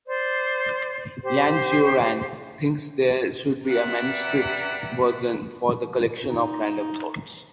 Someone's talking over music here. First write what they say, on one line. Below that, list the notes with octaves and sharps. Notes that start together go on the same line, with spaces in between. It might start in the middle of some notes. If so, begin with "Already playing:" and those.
Yan Xiaoran thinks there should be a “manuscript” version for the Collection of Random Thoughts.
C5 D5
G4 C5
B4 D5 E5 F#5 G5 A#5
D#4